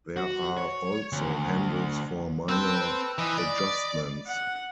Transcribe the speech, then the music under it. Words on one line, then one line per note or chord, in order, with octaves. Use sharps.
There are also handles for minor adjustments.
F#4
C#5
D2
C4 A4 B4 C5 G5
E3 D#5 B5
D5
F#5